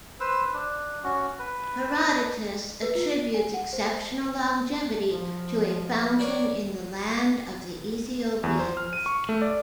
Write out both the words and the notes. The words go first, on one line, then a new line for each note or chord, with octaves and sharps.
Herodotus attributes exceptional longevity to a fountain in the land of the Ethiopians.
B4 C5 E6
D4
C#4 F#4
B4
B4
F4
D#7
G#5
F#5
C5
F3
D4 A#4 C#5
E2
C5
F6
D#7
C#6
A3
D5